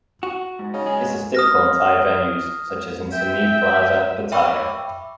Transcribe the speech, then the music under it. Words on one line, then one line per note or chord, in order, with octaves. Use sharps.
This is typical in Thai venues, such as in Sunee Plaza, Pattaya.
F#4
G#2
C#3 D#4
G#3 G#4
D#6 F6 A#6
E5 G5
E5 G5 B5 C#6 D6 E6